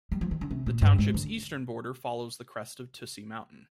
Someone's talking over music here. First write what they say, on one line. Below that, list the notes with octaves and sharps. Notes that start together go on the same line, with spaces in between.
The township's eastern border follows the crest of Tussey Mountain.
G3
F3
D#3
D3
C3
A#2
G2
G#2
D3